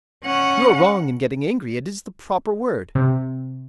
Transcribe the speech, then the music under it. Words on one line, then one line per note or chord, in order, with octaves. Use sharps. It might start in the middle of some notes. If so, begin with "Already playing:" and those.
"You are wrong in getting angry; it is the proper word."
C#4 F#5
C3